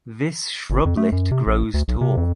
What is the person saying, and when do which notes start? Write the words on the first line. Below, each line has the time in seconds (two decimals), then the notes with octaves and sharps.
This shrublet grows tall.
0.70 G1
0.85 F2
0.97 A3
1.12 F#2
1.31 C3
1.47 A1
1.74 D2
1.88 B1
2.01 C3
2.17 F2